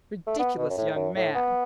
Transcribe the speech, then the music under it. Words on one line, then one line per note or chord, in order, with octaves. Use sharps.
Ridiculous young man!
A3
B3
B2
F#2
A2
F#2
A2
B3